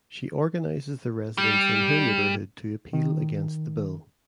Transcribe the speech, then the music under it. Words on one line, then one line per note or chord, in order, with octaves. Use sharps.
She organizes the residents in her neighbourhood to appeal against the bill.
G3
D#3